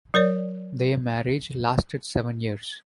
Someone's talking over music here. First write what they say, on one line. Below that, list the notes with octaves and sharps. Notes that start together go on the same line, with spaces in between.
Their marriage lasted seven years.
F#3 A#4 C#5 D5